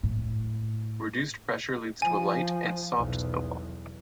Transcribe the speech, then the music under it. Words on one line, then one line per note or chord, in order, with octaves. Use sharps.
Reduced pressure leads to a light and soft snowball.
A2
F3 G#5
B1 E2